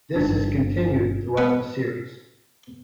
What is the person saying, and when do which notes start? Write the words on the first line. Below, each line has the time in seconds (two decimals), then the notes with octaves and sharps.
This is continued throughout the series.
0.16 G1 G2 D4 D#4
1.37 B3 F#5